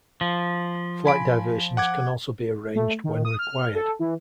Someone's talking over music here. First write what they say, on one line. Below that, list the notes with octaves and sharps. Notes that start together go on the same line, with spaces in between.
Flight diversions can also be arranged when required.
F3
G#5 B5 D7
F#5 D6 G#6
A3
D#3
D#6
F6
A4
E3